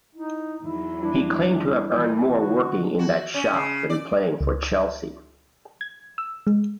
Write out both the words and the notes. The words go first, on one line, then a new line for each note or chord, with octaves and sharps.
He claimed to have earned more working in that shop than playing for Chelsea.
D#4 E4
E2 E3 F#3 D#4 E4
G3 D4 E4
E3
D3 F#4
F#4
C#4
C#3
D5
C#2
G#6
E6
G#3